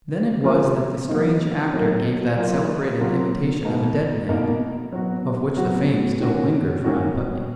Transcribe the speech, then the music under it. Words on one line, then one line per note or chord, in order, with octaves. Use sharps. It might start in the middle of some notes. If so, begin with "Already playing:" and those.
Then it was that the strange actor gave that celebrated imitation of a dead man, of which the fame still lingers round Putney.
F3 G#3 C#4 F4 A#4
F#3 A#3 D#4
F#3 A#3 D#4
F#3 A#3 F4 A#4
F#3 A#3 F4 A#4
B2 A#3 D#4 A#4
B2 A#3 D#4 A#4
F#3 B3 F#4
F#3 B3 F#4
D#3 A#3 C#4 F#4
D#3 A#3 C#4 F#4